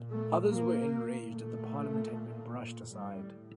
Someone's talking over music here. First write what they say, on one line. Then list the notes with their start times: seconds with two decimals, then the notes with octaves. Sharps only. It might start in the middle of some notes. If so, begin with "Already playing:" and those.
Others were enraged that the parliament had been brushed aside.
Already playing: A#2
0.10 A3
0.51 A#3
1.31 A#2 A3
2.92 A2 G3